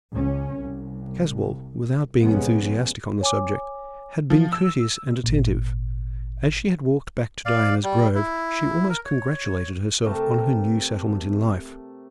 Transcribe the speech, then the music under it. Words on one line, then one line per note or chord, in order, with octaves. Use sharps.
Caswall, without being enthusiastic on the subject, had been courteous and attentive; as she had walked back to Diana's Grove, she almost congratulated herself on her new settlement in life.
C#2 C#4
C2
A#1 C3 F3 G#3 B3 C#4
C#5 G#5 D6
F3
E6
G#1 A#2
D5 F5
G3
E4
A#4
C#5
C3 A3 A#4 A5